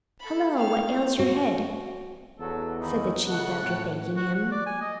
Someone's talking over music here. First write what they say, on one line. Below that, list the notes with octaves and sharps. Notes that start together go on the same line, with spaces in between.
"Hello, what ails your head?" said the Chief, after thanking him.
A4 B5
G4 A4 C#5 F5 F6
F#4
A#1 E2 B2 F#3 A4
G#2 D#3 D#4 B5
C#3 E3 F#4 A4 F#5 F#6
A2 C#4
F#4
F#5
D5
G#5
D#5